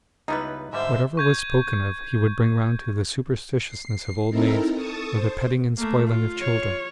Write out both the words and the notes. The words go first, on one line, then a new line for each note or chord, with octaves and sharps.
Whatever was spoken of he would bring round to the superstitiousness of old maids, or the petting and spoiling of children.
C#2 G3 B3 D#4 E4 B4
G#2 D3 G3 C5 E5
C#6 G6 G#6
C7
C4 D#4 E4 A4 A#4 A#5
A4 A5 C#6 D#6
C5
A3 A#3
F4
C#5